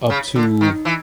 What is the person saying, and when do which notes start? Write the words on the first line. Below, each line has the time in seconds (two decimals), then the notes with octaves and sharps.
up to"
0.10 C#3
0.36 D3
0.61 D#3
0.85 E3